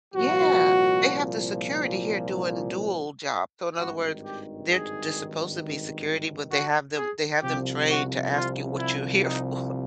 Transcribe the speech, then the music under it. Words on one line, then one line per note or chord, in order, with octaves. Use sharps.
Yeah. They have the security here doing dual job. So in other words, they're j just supposed to be security, but they have them they have them trained to ask you what you're here for.
C2 A#2 F3 F#4
G#1 G2 D#3 F#4
G4
G#4
F#4
G#4
C2 C3 F3 G4
F#4
F4
E4
D#4